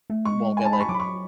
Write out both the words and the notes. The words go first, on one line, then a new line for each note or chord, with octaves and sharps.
won't get like
A3
G#3 C#6
G#5
A5
B5
C#6
F#3 D6
B5
C#6